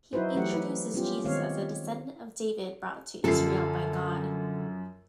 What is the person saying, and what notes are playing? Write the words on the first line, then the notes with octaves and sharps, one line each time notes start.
He introduces Jesus as a descendant of David brought to Israel by God.
F#3 D#4 E4 F#4 B4 C5
E3 F#3 A3 G4 B4 F#5
B4
G3 B3 C#4 F4 G4
D#3 G#3 B3 C4 C#5 F5
F#2 D3 F3 A4 C7